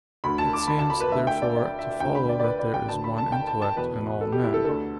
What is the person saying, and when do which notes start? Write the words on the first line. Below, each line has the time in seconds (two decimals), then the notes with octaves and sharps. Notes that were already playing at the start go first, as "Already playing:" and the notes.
It seems, therefore, to follow that there is one intellect in all men.
0.24 D2 D3 B5
0.38 A5
0.53 D6
0.67 B5
0.79 A5
0.90 B5
1.01 B4
1.12 D2 D3 E5
1.27 G5
1.42 D5
1.56 D5
1.79 E5
2.00 D2 D3 G5
2.15 B5
2.29 D5
2.40 D5
2.44 B4
2.59 D5
2.74 G5
2.88 D2 D3 A5
3.04 B5
3.18 A5
3.32 G5
3.47 A5
3.62 A5
3.77 E2 B2 B4
4.21 A4
4.32 G4
4.43 E4
4.54 A4
4.65 D2 D3 A4